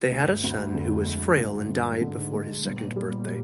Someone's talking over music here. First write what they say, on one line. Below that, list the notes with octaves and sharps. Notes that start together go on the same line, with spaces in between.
They had a son who was frail and died before his second birthday.
D2 G2
D2
F2 D3
G#3
D2 G2
D2
G#2 D3
G#3
G1 A#2
G3